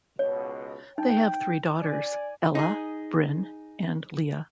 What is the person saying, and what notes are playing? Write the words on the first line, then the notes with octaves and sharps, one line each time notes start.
They have three daughters: Ella, Brynn and Leah.
C#2 B2 C#5
D#4 G5
D5 G#5
D#4 G#4